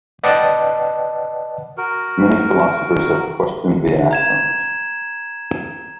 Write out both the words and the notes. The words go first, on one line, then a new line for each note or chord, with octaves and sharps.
Many philosophers have questioned the axioms.
B4 D5 D#5 F#5 G5 A5
F#4 A#4
A#5 G#6 E7